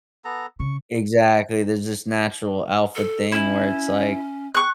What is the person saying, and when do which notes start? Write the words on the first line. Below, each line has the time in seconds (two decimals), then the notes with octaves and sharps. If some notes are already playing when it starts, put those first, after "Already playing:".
exactly. There's this natural alpha thing where it's like
0.25 B3 A4 A#5
0.60 C#3 C#6
2.95 A4
3.32 C#4 E4
4.54 C#6 F#6